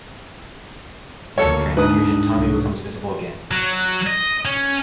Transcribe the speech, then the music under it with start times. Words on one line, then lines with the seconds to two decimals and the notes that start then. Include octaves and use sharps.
During the transfusion Tommy becomes visible again.
1.38 D2 D3 A#3 A4 C#5
1.77 G#2 D4 B4 D#6
2.33 C2 F#3
3.51 F#3
4.07 D#5
4.45 C#4